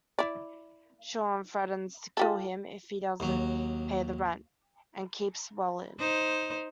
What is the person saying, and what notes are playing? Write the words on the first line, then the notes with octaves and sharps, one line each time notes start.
Sean threatens to kill him if he doesn't pay the rent, and keeps Wellard.
E4 D5
F4 G4 A4
D#2 F#3
D#4 C5